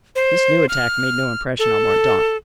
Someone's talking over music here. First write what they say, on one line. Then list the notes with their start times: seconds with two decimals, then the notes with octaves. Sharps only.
This new attack made no impression on Mordaunt.
0.16 C5
0.69 F6
1.59 A4